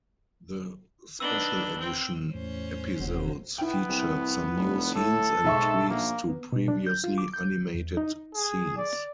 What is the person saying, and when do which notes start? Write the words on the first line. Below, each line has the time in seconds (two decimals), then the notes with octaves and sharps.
The Special Edition episodes featured some new scenes and tweaks to previously animated scenes.
1.20 B3 D4 D#4 E6 F#7 G7
1.80 C4 G5
2.34 E2 A2 C#4 C5
3.00 F1 E2 C4 F#4
3.58 B3 E4 G5
3.89 C2
4.56 F1
4.95 A2 A4
5.44 B1 G#2 E5 C#6
5.89 A#1 A#3
6.29 B3
6.52 B2
6.68 D4
6.87 G6
7.04 F4
7.18 D6
7.34 G6
7.75 E2
7.97 D#4
8.34 G#4
8.77 D5